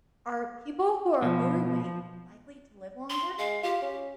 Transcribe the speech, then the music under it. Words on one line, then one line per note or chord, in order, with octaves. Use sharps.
Are people who are overweight likely to live longer?
B2 F3
F3
C6
G#3 F5
F4 G4
C#4